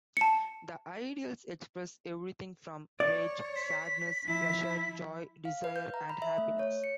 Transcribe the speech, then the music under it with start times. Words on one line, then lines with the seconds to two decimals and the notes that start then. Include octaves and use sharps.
The idols express everything from rage, sadness, pleasure, joy, desire and happiness.
0.17 A5 C#7
3.00 C#5 D5
3.56 B6
4.24 F3 E4
5.45 F5
5.64 B4
5.76 G6
5.94 A#5
6.09 B5
6.22 E5
6.38 A3
6.59 C#5
6.84 C#7